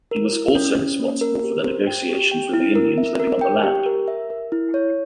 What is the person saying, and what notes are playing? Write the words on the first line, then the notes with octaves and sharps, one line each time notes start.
He was also responsible for the negotiations with the Indians living on the land.
A#4
E4
C#4
C#4
A#3
A#4
G4
C5
G5
G4
G5
E4
A#4
E5
A#4
G5
G4
A#4
E5
A#4
E4
C#5